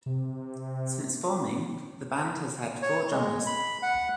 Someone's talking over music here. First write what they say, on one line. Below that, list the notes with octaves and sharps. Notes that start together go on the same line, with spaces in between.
Since forming, the band has had four drummers.
C3
C#5
G#3
B5
F#5